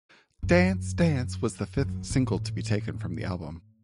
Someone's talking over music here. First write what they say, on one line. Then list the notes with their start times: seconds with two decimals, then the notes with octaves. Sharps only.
"Dance Dance" was the fifth single to be taken from the album.
0.43 F#2
1.77 F#2
2.10 A2